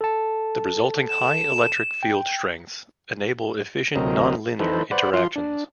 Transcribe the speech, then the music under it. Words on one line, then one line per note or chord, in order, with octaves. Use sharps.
The resulting high electric field strengths enable efficient nonlinear interactions.
A4 A5
E7
G5
D2 C3 F#3 C4 A#4 D#5
E3 D#4 A4 B4 C5
B4 C5 D5 F#5
F3 F4 C6
D4